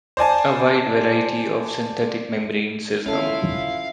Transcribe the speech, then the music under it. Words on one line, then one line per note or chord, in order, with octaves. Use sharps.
A wide variety of synthetic membranes is known.
C5 D5 G#5 A5
C#4 E4 F4 A4 E5 F5